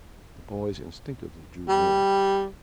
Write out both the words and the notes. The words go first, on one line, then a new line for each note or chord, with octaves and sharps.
The boys instinctively drew near.
G3